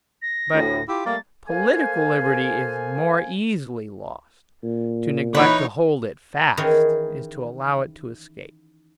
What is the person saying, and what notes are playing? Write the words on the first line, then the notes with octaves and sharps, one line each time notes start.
But political liberty is more easily lost; to neglect to hold it fast is to allow it to escape.
A#6
D2 A2
E4 F4 G4
G3 A3 A#3 A6
A#3 A4 C5 F5 G#5
A#2
E3 D#4 B4 C#5
D#3 E3 C#4 G#4 C#5